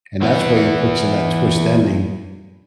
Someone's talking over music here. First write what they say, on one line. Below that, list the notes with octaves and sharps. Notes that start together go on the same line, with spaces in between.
and that's why he puts in that twist ending
E3 B3